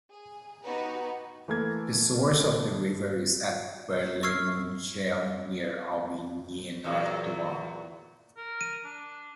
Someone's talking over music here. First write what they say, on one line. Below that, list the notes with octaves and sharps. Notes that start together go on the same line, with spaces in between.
The source of the river is at Berles-Monchel near Aubigny-en-Artois.
G#4
B3 D#4 F#4 G4 B4 A#5
E3 A3 A#3 A4 G#6
C#6 E6 F6 G#6 C7
E2 A#2 F#3
A#4
D#7
D4